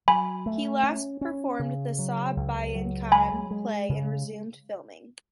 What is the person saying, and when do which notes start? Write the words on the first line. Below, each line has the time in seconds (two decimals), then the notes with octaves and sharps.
He last performed the "Saw Bayin Khan" play and resumed filming.
0.08 F#3 G#5 B5
0.46 A3
0.83 C#4
1.21 C#4
1.59 C#3
1.99 F#3
2.36 C#2
2.75 F#3
3.12 G#3 G#5 B5
3.51 G#3
3.89 C#3